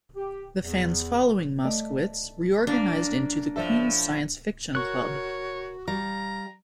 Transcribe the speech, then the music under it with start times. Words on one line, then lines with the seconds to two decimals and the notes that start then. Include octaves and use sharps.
The fans following Moskowitz reorganized into the Queens Science Fiction Club.
0.15 G4
0.61 E2
1.64 A3 D5 D#5
2.67 F#2 A#3 D4
3.56 A2 F3 A4 D5 E5 F5
4.75 F#4 A#4 C#5 C#6 F#6
5.88 G3 F5 A#5